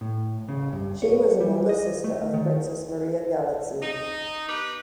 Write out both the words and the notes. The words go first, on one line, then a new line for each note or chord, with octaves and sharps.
She was an older sister of Princess Maria Galitzine.
A2
C#3
G2
C#5
G3
D#5
A3
D#3
D#4
B3 G4 B4